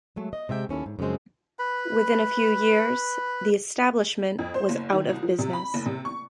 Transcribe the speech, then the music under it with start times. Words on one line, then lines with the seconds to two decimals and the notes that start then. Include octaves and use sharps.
Within a few years, the establishment was out of business.
0.16 F#3 G#3 A3
0.33 D#5
0.49 C3 G#3 E5 G5
0.69 D#2 C#4 E4 A4
0.86 G#2
0.99 F#2 C#3 F3 G#3 C4
1.59 B4 B5
4.39 F2
4.54 C5
4.69 F#1
4.92 D#3
5.10 C2
5.23 F3
5.39 C3
5.53 B5
5.74 F#1
5.86 C3
6.05 C#6